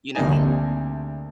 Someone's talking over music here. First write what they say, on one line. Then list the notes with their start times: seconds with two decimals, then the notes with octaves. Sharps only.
you know?
0.15 D2 C3 G3 A#3 D#4 G#5